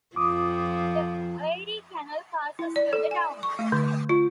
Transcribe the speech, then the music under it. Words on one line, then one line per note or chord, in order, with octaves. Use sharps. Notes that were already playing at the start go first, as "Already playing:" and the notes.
The Erie Canal passes through the town.
F2 F3 D6 D#6
E4
D5
A4
G#5
C#6
A3
D3
F4